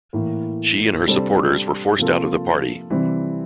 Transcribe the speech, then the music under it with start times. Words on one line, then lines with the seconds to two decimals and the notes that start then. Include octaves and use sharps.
She and her supporters were forced out of the party.
0.13 A2 E3 A#3
1.06 C3 G3 D4 A4 C5
1.98 C3 F3 A#3 F4 A4
2.90 C3 E3 G3 C4